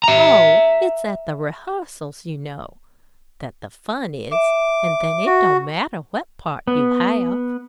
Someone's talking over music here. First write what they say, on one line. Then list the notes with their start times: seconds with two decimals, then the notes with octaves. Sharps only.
"Oh, it's at the rehearsals, you know, that the fun is, and then it don't matter what part you have."
0.04 E5 A#5
4.32 E5 D6
5.26 F#4
6.67 B3